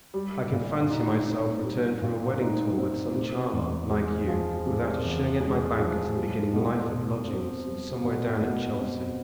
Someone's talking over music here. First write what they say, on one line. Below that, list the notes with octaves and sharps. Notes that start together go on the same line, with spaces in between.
I can fancy myself returned from a wedding tour with some charmer, like you, without a shilling at my banker's, and beginning life at lodgings, somewhere down at Chelsea.
G3
A#2
D#4
C4
G3
A#2
D#4
C4
C3
E2
G#3
F3
C3
E2
G#3
F3
G3
B2
B2
C4
G3
B2
B2
C4